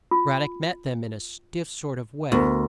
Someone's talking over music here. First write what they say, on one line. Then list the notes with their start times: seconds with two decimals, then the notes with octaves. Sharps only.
Brad-dock met them in a stiff sort of way.
0.11 F4
2.32 D2 B3 D4 A#4